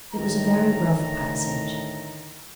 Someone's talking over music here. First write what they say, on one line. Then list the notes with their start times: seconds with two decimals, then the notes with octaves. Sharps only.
It was a very rough passage.
0.14 D2 A2 D#3 A#5